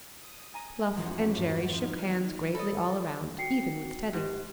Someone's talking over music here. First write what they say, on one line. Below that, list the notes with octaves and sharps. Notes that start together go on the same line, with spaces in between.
Bluff and Jerry shook hands gravely all around, even with Teddy.
D#6
G#5 A#5 D#7
D#1 E2 F3 C#4 F#4 F#5
G2
F3 D#4 F6
A4 C#5 D#5 B5
F#4 G5 C7 C#7
G#2 G4